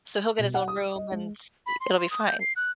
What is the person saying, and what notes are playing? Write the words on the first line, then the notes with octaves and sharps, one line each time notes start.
So, he'll get his own room, and, s e it'll be fine.
B2
F#5
D#6
D#5
G#3
B5
C6
C6
D#6
G6
C7
F#6